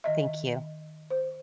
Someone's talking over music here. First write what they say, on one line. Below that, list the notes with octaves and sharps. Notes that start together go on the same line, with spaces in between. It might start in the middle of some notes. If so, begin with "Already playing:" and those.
Thank you.
D#3 D#5 E5
C5